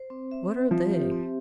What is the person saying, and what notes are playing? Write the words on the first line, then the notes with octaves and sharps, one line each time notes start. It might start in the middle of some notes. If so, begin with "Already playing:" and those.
"What are they?"
Already playing: C5
C4
E5
C4
F3 E5
G4
C4